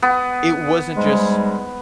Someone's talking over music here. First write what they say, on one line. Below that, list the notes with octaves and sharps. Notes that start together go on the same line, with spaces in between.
it wasn't just,
B3
G#2 G3 G#3